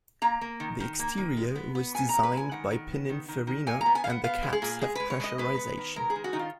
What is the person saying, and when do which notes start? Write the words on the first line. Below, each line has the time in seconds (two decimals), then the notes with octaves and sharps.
The exterior was designed by Pininfarina and the cabs have pressurization.
0.22 A#3 A#5
0.41 A#3
0.60 D#3
0.80 D#3
0.99 A#3
1.17 D#3
1.37 G#3
1.56 B3
1.75 B3
1.95 A#2 G#5
2.09 A#2 A#5
2.23 B4
2.33 G#3 G#5
2.51 D#3 F#5
2.71 D#3
2.90 B3
3.09 D#3
3.28 D#3
3.47 D#3
3.66 A#2 G#5
3.81 A#5
3.86 B3
3.95 G#5
4.04 B3 F5
4.10 F#5
4.24 B3 F5
4.43 G#3
4.53 G#4
4.62 A#2
4.81 G#3 G#4
4.95 G#3 B4
5.10 C#5
5.20 G#3 D#5
5.38 G#3 B4
5.57 B3
5.77 D#3
5.96 G#3 A#4
6.10 G#4
6.16 D#3
6.24 F#4
6.33 D#3 D#4
6.39 F4